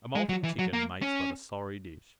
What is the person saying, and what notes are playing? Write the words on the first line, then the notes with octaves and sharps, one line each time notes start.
A moulting chicken makes but a sorry dish.
G#3
F#3
E3
F#3
A#3
C#4